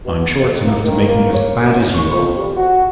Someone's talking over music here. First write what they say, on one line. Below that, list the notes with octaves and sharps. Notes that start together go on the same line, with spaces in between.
I'm sure it's enough to make me as bad as you are.
B2
F2
A#3
D#3
A#3
C#5
F#2
C#6
F2
G3
F#4